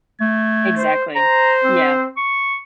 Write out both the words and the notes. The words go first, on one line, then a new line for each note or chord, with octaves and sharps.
Exactly, yeah.
A3 G#6
C5
C5 A#5
C4
C#6